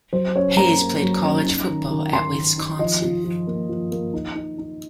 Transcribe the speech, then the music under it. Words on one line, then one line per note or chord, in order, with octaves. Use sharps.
Hayes played college football at Wisconsin.
F#3 C5
C#4 C#5
A#3 A#5
A#3
F#3
C#4
D#4
D#3
D#3
D#3 C6
D#3
D#4
F3 D#5
F4
F3
A#3
F3
A#3
D#4
D#4
D#4